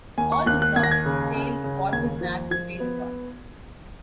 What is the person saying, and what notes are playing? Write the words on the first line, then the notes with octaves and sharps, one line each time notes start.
All was lost, save what was nabbed to pay the cost.
D#2 G#5
C#6
D#2 F#6
F#6
D#2 G#6
A#6
G#6
C#3
C#3
C#3
D#2 G#6
F3
F3 G#6
B3